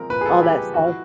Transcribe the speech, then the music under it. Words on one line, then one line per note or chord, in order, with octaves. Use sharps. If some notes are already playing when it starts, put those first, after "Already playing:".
all that stuff.
Already playing: F3 G#3 C4 A#4
A#2 B4
G#4
A4
G#3
G4
F3
E4 F#4